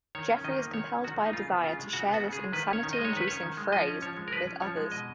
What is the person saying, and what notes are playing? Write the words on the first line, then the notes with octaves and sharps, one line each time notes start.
Jeffrey is compelled by a desire to share this insanity-inducing phrase with others.
D#3 C#5
C#4
D#3 D#5
A#3
D#3 C#5
C#4
D#3 F#4
A#3
D#4
C#3 F4
B3
C#3 F4
G#3
C#3 F#4
B3
F#4
C#3
G#4
G#3
D#3 B4
C#4
C#5
D#3
D#5
G#3
C#5
D#3 B4
C#4 C#5
D#3
G#3
F3 D#5
C#4
F3 C#5
G#3
A#4
F3 B4
C#4
F3 C#5
G#3
B2 D#5